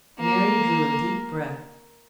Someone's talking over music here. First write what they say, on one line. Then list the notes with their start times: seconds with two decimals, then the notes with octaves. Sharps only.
Mary drew a deep breath.
0.19 A#3